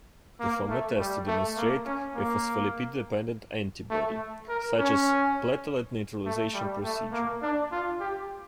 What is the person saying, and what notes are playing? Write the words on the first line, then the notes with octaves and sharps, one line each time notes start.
Perform a test to demonstrate a phospholipid-dependent antibody, such as a platelet neutralization procedure.
A#3
A3
G3
A3
A#3
C#4
A#3
A3
A#4
C#4
A3
G3
A3
A#3
D4
F4
G4